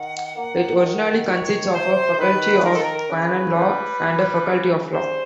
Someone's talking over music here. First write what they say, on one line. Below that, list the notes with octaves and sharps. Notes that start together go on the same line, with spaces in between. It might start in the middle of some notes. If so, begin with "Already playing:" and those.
It originally consisted of a faculty of Canon Law and a faculty of Law.
Already playing: D#3 F#5
A#3
D#3
D#3 C#5
C3 C5
D#3 B4
D#3 A#4
A4
A#4
A#4
C#3 B4
G3
G3
C#3
G3 C5